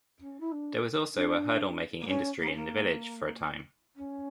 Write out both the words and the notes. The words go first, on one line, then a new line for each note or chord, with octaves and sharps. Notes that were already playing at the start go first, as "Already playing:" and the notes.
There was also a hurdle-making industry in the village for a time.
C#4
E4
D4
D4
A#3
C#4
A#3
C#4
A#3
C#4